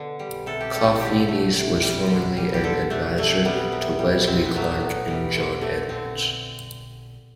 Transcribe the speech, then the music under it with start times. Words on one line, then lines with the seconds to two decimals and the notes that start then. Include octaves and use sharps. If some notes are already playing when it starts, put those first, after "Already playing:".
Kofinis was formerly an adviser to Wesley Clark and John Edwards.
Already playing: B2 D3
0.19 G3
0.46 C3 A4
0.60 G4
0.74 G3 A4
1.01 D3 G4
1.28 A3
1.55 C3
1.83 G3
2.10 D3
2.37 G3
2.54 G4
2.64 D3 A4
2.90 A3 D4
3.18 C3 A3
3.45 G3 B3
3.72 C3
3.99 G3
4.27 B2 C4
4.44 B3
4.54 F#3 A3
4.62 B3
4.80 A2
5.08 E3 G3
5.35 D3
5.61 A3
5.89 D3 C4